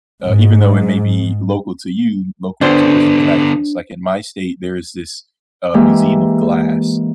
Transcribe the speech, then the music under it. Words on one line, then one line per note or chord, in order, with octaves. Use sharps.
Uh, even though it may be local to you, local tourist attractions, like in my state, there is this, uh, museum of Glass
G#2
D3 B3 D4 C5
E3 G#3 A#3 G4